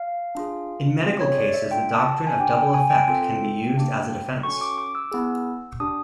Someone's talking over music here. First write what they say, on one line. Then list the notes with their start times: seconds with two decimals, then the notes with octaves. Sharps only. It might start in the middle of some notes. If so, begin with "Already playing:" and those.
In medical cases the doctrine of double effect can be used as a defence.
Already playing: F5
0.35 D4 F4 G#4
1.04 C4 F4 G#4
1.21 C#5
1.38 D5
1.54 E5
1.71 D4 F4 A4 G5
1.94 A5
2.27 G#5
2.40 D4 G4 G5
2.57 G5
2.74 G#5
2.90 G5
3.07 C4 F4 A4
3.76 A#3 D4 G4
4.43 C#4 F#4 A4 C#6
4.61 D6
4.78 D6
4.95 E6
5.11 B3 E4 G#4
5.80 D4 G4 D#6